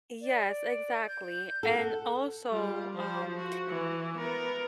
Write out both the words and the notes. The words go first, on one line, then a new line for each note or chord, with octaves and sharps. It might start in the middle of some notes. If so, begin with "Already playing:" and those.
Yes, exactly. And also, um,
D5
G6
A4 F#5
G3 F4
F3 C5
F#4
E3
B3 A#4